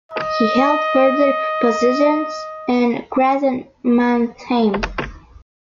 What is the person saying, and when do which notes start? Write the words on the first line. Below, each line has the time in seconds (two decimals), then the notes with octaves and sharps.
He held further positions in Graz and Mannheim.
0.12 D#5